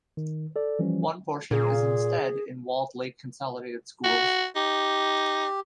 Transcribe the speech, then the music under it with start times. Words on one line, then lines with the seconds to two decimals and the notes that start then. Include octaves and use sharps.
One portion is instead in Walled Lake Consolidated Schools.
0.17 D#3
0.56 A4 D5
0.79 E3 F3 G3 C#4
1.51 A#2 G#4
4.04 F#4
4.56 D#4 G4